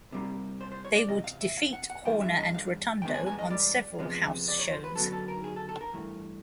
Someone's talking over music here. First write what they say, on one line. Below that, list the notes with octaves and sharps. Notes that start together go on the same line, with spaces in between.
They would defeat Horner and Rotundo on several house shows.
C2 C3 D#3 G3 A#3
C5
C5
C#5
D5
E2 C3 D#5
F5
E5
F5
F#5
F#5
G2 E3 G#3 G5
E5
D#5
F5
G2 E3 G#3 B3 G5
G#5
G#5
D#5
D5
C#2 C3 F3 G#3 B3
D5
C#5
C5
B4
D2 C#3 F#3 B3 A4
A4
A#4
G#4
A4
A4
A#4
G2 E3 A3